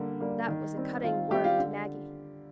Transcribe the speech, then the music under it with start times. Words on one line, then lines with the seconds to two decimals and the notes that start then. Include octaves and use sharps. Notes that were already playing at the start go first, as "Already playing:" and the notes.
That was a cutting word to Maggie.
Already playing: D3 G3 A#3
0.21 G3 A#3
0.48 D#3
0.75 G3 C4
1.03 D#3 F4
1.30 G3 C4 G4
1.44 F4
1.58 D3